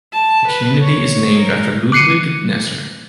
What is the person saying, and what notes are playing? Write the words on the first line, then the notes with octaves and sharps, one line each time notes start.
The community is named after Ludwig Nesser.
A5
B4
C#5
A#4
D6 F#6 C7 C#7 D#7